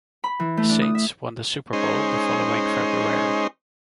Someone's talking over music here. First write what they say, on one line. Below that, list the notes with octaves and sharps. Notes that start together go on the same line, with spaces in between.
The Saints won the Super Bowl the following February.
B5
E3
A3
D4
D#6
E5
G#3 C#4 D#4 C5